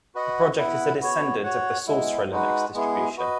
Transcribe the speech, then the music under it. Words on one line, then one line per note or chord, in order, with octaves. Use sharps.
The project is a descendant of the Sorcerer Linux distribution.
F#4 B4 D#5 F#5
B3 E4 B4 F#5
B3 F#4 C#5
F#4 C#5 F#5
G#3 B3 E4
G#3 D#4 F#4 B4 F#5
G#3 B3 E4 G#4
F#4 B4 D#5